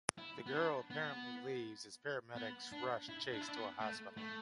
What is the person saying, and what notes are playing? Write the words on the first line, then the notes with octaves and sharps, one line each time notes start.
The girl apparently leaves as paramedics rush Chase to a hospital.
E4
B3
D4
B3
B3
D4
E4
D4
E4
D4
B3
A3
A3